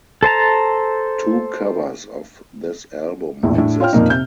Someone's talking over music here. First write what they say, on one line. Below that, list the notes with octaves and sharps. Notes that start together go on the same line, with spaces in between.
Two covers of this album exist.
A4 C5 A5 A#5
A#1 E2 A2
A2 D4
F4 C#5 G5 F6
F2 A#2 A#3 D#4
C3 G6